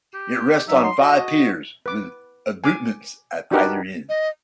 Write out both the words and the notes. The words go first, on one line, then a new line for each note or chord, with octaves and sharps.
It rests on five piers, with abutments at either end.
G4
F#3 D#4 E5
C6
F#4 D#5
B4 D6
G#5 D6
D4 D#4 F#4 G4 A#4 B4
D#5